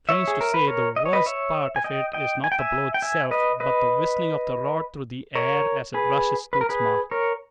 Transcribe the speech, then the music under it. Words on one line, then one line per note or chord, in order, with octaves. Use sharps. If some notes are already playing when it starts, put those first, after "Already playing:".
Strange to say, the worst part of it is not the blow itself, but the whistling of the rod through the air as it rushes to its mark.
C#5 E5
G#4
A#4
B4
A#4 C#5
D#5
C#5
B4 D#5
C#5 E5
G#5
D#5 G5
D#5 G5
G#5
G5
E5 G#5
G5
E5 G#5
B4 D#5
B4 D#5
A#4 C#5
G#4 B4
B4
A#4
G#4 B4
A#4 C#5